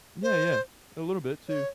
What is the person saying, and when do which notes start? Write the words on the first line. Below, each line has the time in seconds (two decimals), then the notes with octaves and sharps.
Yeah, yeah. A little bit too.
0.23 C5
1.48 C#5